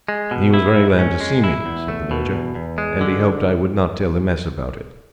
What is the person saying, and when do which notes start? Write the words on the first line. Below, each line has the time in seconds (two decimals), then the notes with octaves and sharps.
He was very glad to see me," said the Major, "and he hoped I would not tell the Mess about it.
0.08 G#3
0.31 B2
0.54 E4
0.76 G#2
0.99 C#4
1.21 G#3
1.44 E4
1.66 E2
1.88 A3
2.11 B2
2.34 E2
2.55 E2
2.78 G#3
3.01 D3